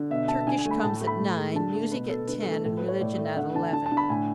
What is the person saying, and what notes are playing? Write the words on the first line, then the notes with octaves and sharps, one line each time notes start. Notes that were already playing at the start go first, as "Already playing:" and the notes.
Turkish comes at nine, music at ten and religion at eleven.
Already playing: D3
B2 E5
B2 A5
D3 G#5
G#5
A3
B5
A2 A5
A5
A3
B5
A2
G#3
D3 A5
A3
B2 B4
B2 A4
D3 B4
A4
A3
A4
A2 A4
B4
A3
C#5
A2 D5
D5
A3
E5
D3 F#5
D3 A5
D3 A5
A5
D3
B5
A2 G#5